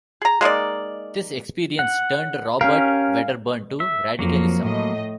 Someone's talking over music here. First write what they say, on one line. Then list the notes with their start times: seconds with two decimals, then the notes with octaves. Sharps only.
This experience turned Robert Wedderburn to radicalism.
0.22 G#4 A#5
0.41 G#3 A#3 D#4 D5
1.79 F#5
2.61 C#4 G4 A#4 F5
3.80 E5
4.19 F2 F3 F#3 A#3
4.60 A2 D#5